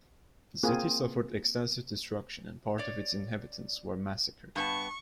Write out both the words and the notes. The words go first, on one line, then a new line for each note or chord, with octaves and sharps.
The city suffered extensive destruction and part of its inhabitants were massacred.
A#3 C4 F4 G#4
C#5 D5
G2 B3 A5 C#6